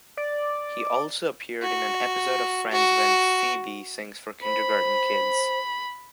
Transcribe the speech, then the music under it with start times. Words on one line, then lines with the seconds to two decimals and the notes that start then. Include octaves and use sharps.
He also appeared in an episode of Friends when Phoebe sings for kindergarten kids.
0.17 D5
1.63 F#4
2.72 F#4
4.43 C5 B5